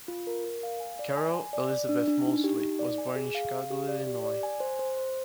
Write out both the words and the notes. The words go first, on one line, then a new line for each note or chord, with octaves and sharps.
Carol Elizabeth Moseley was born in Chicago, Illinois.
F4
A#4
A#4
F5
G#5
D5
G#5
G#5
D5
D5
D4
D4
D#4
G4
D#4
D5
G#5
G#4
F5
F5
G4
D5
G4
D5
G#5
C5
C5
C5